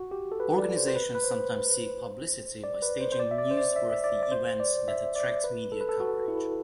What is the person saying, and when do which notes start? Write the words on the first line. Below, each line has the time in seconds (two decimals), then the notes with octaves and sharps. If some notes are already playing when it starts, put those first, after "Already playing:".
Organizations sometimes seek publicity by staging newsworthy events that attract media coverage.
Already playing: F#4
0.11 G4
0.32 A4
0.40 B4
0.58 D5
0.77 C5
0.88 C5
0.96 B4
1.15 B4
1.24 C5
2.64 D5
2.82 B4
3.01 C5
3.12 C5
3.20 D5
3.31 E5
3.38 D5
3.51 C5
3.57 D5
3.76 E5
3.92 E5
4.04 D5
4.23 D5
4.32 C5
4.60 D5
4.88 E5
5.16 D5
5.44 B4
5.72 A4
5.81 B4
5.89 A4
6.00 F#4
6.28 E4